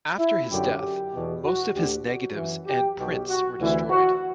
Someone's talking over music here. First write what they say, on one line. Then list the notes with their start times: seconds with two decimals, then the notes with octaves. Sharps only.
After his death, most of his negatives and prints were destroyed.
0.18 E4
0.50 F#2 D3 G4
0.81 G4
1.12 E2 B2
1.43 F#4
1.74 D2 D3 G4
2.05 F#4
2.35 F#2 E3
2.66 G4
2.98 B1 B2 G4
3.29 F#4
3.60 D2 C3 E3 E4
3.90 F#4